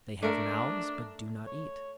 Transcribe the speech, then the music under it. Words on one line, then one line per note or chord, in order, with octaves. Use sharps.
They have mouths, but do not eat.
A3 D4 A#4
C#5